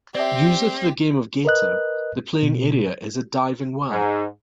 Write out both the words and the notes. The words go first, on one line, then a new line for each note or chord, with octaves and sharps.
Usually for the game of Gator, the playing area is a diving well.
C4 G4 D5 E5
A#4 B4 D#5 F#6
B2
G#2